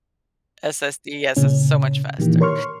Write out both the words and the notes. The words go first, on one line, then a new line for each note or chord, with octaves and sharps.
SSDs is so much faster.
A#2 C#3 C#4
A#2 D#3 E3 A#3 G4
A#4 C#5 C6 C#6 F6